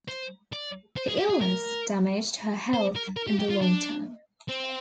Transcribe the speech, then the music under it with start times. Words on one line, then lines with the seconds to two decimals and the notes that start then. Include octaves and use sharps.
The illness damaged her health in the long term.
0.09 C5
0.53 D5
0.97 C5
1.08 G#4
1.18 G4
1.30 G#4
1.41 A#4
2.74 C5
2.96 A#4
3.17 A#4
3.27 G4
3.39 G4
3.50 F4
3.61 D4
4.49 C4